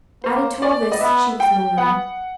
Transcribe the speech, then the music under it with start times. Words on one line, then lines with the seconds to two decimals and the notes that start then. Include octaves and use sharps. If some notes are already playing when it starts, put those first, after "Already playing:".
Added to all this, she was lonely.
0.24 A#3 C5
0.62 D5
0.92 D#5
1.01 B3 E5
1.40 G5
1.78 B3 F#5